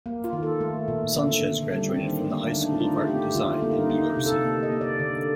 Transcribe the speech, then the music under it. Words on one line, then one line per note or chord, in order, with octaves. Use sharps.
Sanchez graduated from the High School of Art and Design in New York City.
A#3
F4
D#3
A4
A3
A#2
D3
D3
G3 D4
C4
D#3
A#3
A3 A#3
D4
D3 D#4
D4
D#4
A3 F4
A3 G4
D3 F4
F4
A#3
D#4
A#3 D#4
C3
A4
A#3
D#5
A#3
D5
D3